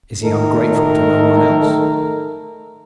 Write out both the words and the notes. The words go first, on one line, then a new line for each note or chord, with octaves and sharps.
"Is he ungrateful to no one else?"
D#3 A3 A4 A#4